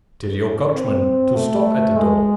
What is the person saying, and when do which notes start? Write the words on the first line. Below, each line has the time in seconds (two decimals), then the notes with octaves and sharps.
"Tell your coachman to stop at the door."
0.74 C4
1.35 A3
1.97 G#3